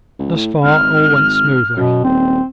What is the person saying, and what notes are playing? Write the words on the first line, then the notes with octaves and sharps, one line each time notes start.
Thus far all went smoothly.
C#2
A2
G#1 F6
F#2 B2
D#1 C4